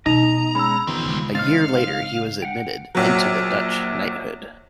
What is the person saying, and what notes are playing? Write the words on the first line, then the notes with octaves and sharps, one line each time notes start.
A year later he was admitted into the Dutch knighthood.
B2 D#4 D#5 A#5 F7
G#3 C#4 B5 E6
E2 D#3 F3 G3 C4
C#3 G#3
C4 D#4 C#5 F5 F6 A6
F#5 G5
A#1 F#3